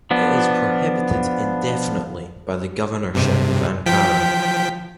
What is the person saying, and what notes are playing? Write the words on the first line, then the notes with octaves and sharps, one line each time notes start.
It is prohibited indefinitely by the Governorship of Ankara.
F3 B3 D4
G2 C3
F3 G5 B6